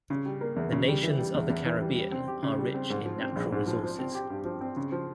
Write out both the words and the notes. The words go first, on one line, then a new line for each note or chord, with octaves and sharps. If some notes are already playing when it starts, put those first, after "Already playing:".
The nations of the Caribbean are rich in natural resources.
C#3
G3
A#3
E2
C#3
G3
E3
G3
E2
E2
E3
G3
G3
C4
G4
C#3
G3
C4
G#2
F3
C4
A#1
G#2
F3
F3
C4
G4
G2
F3
C4
C#3
F3